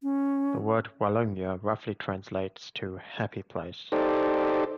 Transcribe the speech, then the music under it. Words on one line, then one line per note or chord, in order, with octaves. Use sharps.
The word "Walyunga" roughly translates to "Happy Place".
C#4
D#4 G4 A4 C5 D5